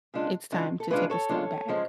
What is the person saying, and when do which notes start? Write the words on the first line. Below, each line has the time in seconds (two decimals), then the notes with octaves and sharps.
it's time to take a step back?
0.14 C#3 G#3 D4 F4
0.52 C#3 G#3 D4 F4
0.80 A4
0.90 C#3 G#3 D4 F4 G#4 B4
1.10 A4 C#5
1.29 C#3 G#3 D4 F4
1.69 C#3 F3 G#3